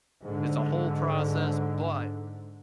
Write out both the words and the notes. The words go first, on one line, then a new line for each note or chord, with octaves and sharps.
It's a whole process. But,
G#2 D3